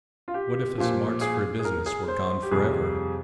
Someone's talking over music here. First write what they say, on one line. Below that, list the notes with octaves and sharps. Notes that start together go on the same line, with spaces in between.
What if his marts for business were gone for ever?
F4
G4
A#2 F3
G#4
G#4
A#4
G#4
C5
G4
F2 C3 G3 G#4